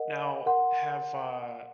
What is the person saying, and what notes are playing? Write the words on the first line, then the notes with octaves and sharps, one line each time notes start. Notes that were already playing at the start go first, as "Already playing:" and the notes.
Now, have, uh
Already playing: A#4 D#5 F#5
A#4 F#5 C6